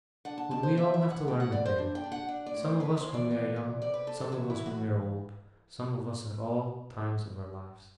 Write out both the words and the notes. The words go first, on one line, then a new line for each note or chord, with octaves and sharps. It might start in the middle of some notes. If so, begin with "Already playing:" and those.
But we all have to learn it, David; some of us when we are young, some of us when we are old, some of us at all times of our lives.'
D4 F#5
A5
B2 A5
C5
E3 E5
E5
E4
F#5
A2 G5
F#5
E3 D5
C5
D4
G5
D4
F#5
D4
D5
A2
C5
E3 B4
C5
E3
D5
B3
E3
C3 D5
B4
C3 A4
A4
E3 F#4
E4
E3
F#4